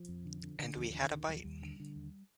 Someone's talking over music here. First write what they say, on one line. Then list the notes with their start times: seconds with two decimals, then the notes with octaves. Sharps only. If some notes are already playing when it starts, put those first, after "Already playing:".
And we had a bite.
Already playing: F3
0.09 F2
0.25 D3
0.43 D3
0.59 D3
0.77 D#2 F3
0.94 D3
1.02 D#3
1.11 D#2
1.28 D#2 G3
1.35 F3
1.44 D#2 G3
1.62 D3
1.80 D3
1.96 D#2